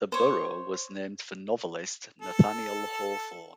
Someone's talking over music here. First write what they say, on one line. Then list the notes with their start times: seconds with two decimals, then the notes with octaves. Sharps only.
The borough was named for novelist Nathaniel Hawthorne.
0.12 C5 C#5
2.22 A4